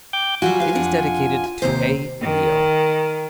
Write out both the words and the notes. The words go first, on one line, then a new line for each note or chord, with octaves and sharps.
It is dedicated to A. Leo.
G5 D6 G6
F#3 G3 F4 F#4 G#5
B4 F5
F2 D4 F#5
D#2 C3 C5
D#3